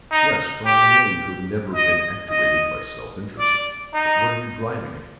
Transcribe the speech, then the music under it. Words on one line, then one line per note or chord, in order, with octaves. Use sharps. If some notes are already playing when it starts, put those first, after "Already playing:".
"Yes, for I know you have never been actuated by self-interest. But what are you driving at?"
D#4
G4
D#5
D#5
D5
D#4